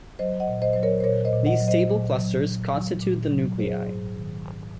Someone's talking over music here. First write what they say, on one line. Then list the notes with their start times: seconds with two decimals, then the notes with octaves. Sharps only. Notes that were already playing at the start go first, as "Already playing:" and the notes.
These stable clusters constitute the nuclei.
0.19 F#3 C5 D#5
0.40 D#5 F#5
0.48 A#2
0.62 C5 D#5
0.73 F#3 C5
0.83 A#4 C#5
1.00 C5
1.04 A#2 A#4 C#5
1.25 C5 D#5
1.33 A#2
1.46 D#5 F#5
1.61 F#3
1.68 C5 D#5
1.89 A#2
2.17 F#3
2.46 A#2
2.74 F#3
3.02 A#2
3.31 F#3
3.58 F#3 G#4 C5
3.87 G#2
4.16 D#3
4.44 G#2